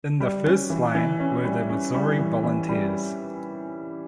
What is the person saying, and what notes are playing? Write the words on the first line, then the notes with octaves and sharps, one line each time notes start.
In the first line were the Missouri volunteers.
G3
C#4
E3
E3
C#4
G3
C#4
G3
E3
E3
G3